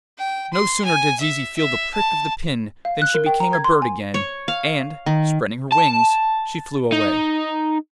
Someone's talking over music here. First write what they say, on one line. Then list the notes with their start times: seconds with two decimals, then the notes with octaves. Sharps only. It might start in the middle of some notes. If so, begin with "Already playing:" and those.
No sooner did Zizi feel the prick of the pin than she became a bird again, and, spreading her wings, she flew away.
0.18 G5
0.53 C6
0.85 G#5
1.20 E5
1.56 E5
1.94 A5
2.85 F5
3.02 F#6
3.14 A#4
3.26 G5
3.40 A#5
3.53 G#6
3.64 C6
3.82 G#5
4.14 C#5
4.48 F5
5.06 D#3
5.72 A5
6.92 D#4